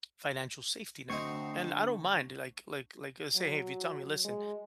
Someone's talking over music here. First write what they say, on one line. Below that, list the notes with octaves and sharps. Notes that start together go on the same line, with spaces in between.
financial safety net, and I don't mind, like like like just say, hey, if you tell me, "Listen,
D3 F#3 A3 C4 D#4 C5 C#6
F#3
G#3